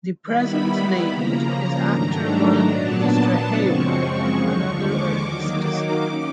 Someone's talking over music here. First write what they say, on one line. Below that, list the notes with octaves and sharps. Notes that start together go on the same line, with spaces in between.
The present name is after one Mr. Hayward, another early citizen.
D#3 G3 B3 E4 B5
C#3 F3 A#3 A#5
G#2 D#3 F#3 A3 D4
A#2 F#3 B3 D4 A5
F#2 C#3 F3 G#3 C4 C#6
C#6
D#2 D3 F3 G#3
D6
D#3 F#3 A#3 D#4
D6
C#4